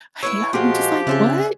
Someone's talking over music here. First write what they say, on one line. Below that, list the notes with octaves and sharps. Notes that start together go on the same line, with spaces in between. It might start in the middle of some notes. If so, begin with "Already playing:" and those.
I am just like, "What?"
E4 B4 C#5 E6
A#2 F3 G#3 F#4 G4 C6
C#3 C4 C#4 G#4 C5 D5 E5 F#6